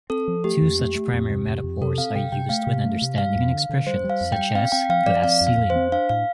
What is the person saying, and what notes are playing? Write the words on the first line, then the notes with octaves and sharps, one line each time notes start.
Two such primary metaphors are used when understanding an expression such as "glass ceiling".
C4 A4
F3
A3 G4
F2
A3
A3
F2
C3
F2
F2
C3 A4
C4 F5
C3 G5
C3 G5
A3 F5
C3
A3
C3
G3 F5
F2
D3
D3
G3 C5
G3
F5
F2
G5
G3
C4 F5
C4 G5
F3 F5
F3 D5
C4 F5
F2
F5
F2
C5
C4
D4 F5
A2 F5